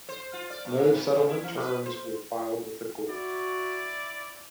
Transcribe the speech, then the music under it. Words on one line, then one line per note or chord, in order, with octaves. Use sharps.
No settlement terms were filed with the court.
C5
F4
D5
G2
A2
B2
A#2
E4
E3
B4
C5
E4 F#4 D5